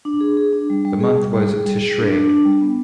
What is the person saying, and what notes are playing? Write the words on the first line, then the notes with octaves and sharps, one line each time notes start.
The month was Tishrei.
D4
G#4
G#4
D4
G3
G3
G#4
G3
G3
G#4
G3
G#4
D4
D4
D4
G3
B3